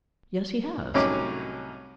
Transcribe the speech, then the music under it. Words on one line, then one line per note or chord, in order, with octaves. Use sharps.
"Yes, he has."
C2 A2 F#3 C#4 D#4 D6